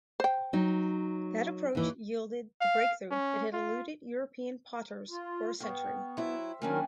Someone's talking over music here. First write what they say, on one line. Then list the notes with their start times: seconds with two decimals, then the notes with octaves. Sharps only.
That approach yielded the breakthrough that had eluded European potters for a century.
0.20 C5 G5
0.53 F#3 D#4
1.75 D#2 E3
2.61 F5
3.11 C#4
3.53 F4
5.10 F4
5.60 G2 B3 F5 G5 C#6
6.17 F#3 E4 C5 E5
6.62 D#3 F#3 A#3 C#4 D4 A#4 G5 G#5